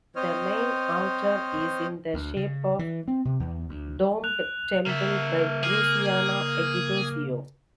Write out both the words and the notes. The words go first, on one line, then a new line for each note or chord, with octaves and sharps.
The main altar is in the shape of domed temple, by Cruciano Egiduzio.
C4 C5 C#5 D#5 F6
D2
C#3
E3
C4
C3
E2
D2
F#6 F7
C#3 A#3 E5
A#3 G#4